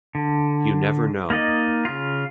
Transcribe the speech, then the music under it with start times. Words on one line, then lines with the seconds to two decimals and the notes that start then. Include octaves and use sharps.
You never know.
0.15 D3
1.30 A#3 D#4 D5 D#5
1.85 C#3 F4